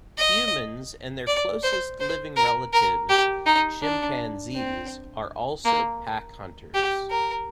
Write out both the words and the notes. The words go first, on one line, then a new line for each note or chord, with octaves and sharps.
Humans and their closest-living relatives chimpanzees are also pack hunters.
D#5
D5
C5
C5
A#4
A#4
G4
D#4
D4
C4
A#3
G4
A#4